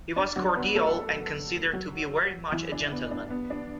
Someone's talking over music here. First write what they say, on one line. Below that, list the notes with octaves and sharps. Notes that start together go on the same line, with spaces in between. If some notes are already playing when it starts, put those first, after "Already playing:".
He was cordial and considered to be very much a gentleman.
D4 D5
F#3 F#4
B3 B4
A3 A4
F#3 F#4
E3 E4
D4
B3
D4
B3
D4